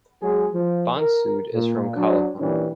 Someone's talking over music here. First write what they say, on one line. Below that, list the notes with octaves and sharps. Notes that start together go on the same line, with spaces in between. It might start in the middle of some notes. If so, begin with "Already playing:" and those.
Bansud is from Calapan.
F#3 G#3 G#4
F3
A#4
A#2
F#3 D4
A#2 E3 G3 C#4 D4